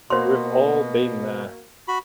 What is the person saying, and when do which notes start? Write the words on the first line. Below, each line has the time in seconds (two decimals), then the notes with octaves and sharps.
We've all been there.
0.10 B2 A#3 F#4 C5 C6
1.88 F#4 B5